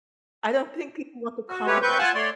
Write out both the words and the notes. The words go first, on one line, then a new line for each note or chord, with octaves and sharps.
I don't think people want to compromise.
F#4
G#3 A3 G4 B4 C#5
C4 B4 C#6 G6
F4 F#5 G#5 A5
A3 C#5 D5 C6